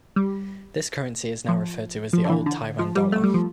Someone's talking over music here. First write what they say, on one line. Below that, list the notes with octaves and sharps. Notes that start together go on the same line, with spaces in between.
This currency is now referred to as the old Taiwan dollar.
G3
F3
F3
D3
E3
D3
F3
G3
A3
G3
F3